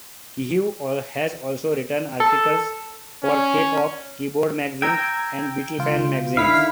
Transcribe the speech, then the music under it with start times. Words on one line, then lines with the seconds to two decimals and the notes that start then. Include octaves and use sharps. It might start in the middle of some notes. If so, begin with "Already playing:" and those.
Kehew has also written articles for "Tape Op", "Keyboard Magazine", and "Beatlefan" magazines.
2.20 A4
3.24 C#4
4.82 G5 A#5 E6 G#6
5.79 C#2 F4
6.37 D3 D#3 E4 F5 B6